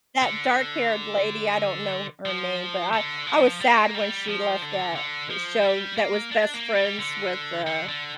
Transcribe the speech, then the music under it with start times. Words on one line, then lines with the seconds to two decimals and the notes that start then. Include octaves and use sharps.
That dark haired lady- I don't know her name- but I I was sad when she left the show that was best friends with, uh
0.22 D3
2.25 F3
2.93 D3
3.27 F3
3.61 G3
3.75 C4
3.85 A#3
3.95 G3
4.28 F3
4.62 D3
4.96 D3
5.30 F3
5.63 G3
5.98 A#3
6.32 D4
6.54 A#3
6.75 G3
6.99 D3
7.67 D3
7.89 D3